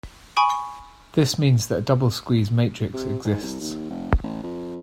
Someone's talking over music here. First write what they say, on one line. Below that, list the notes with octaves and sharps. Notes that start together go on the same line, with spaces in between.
This means that a double squeeze matrix exists.
G#5 B5 C#6 D#6 D7
C3
G#2
C2
D#2
F1
A1
F2